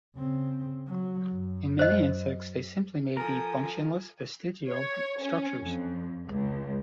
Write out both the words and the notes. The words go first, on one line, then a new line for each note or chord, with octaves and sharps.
In many insects, they simply may be functionless vestigial structures.
C#3 C4
F#3
F#2
C5 D#5
F3 A4 A#4 G#5 D#6
C#5
C#4
F2
C#2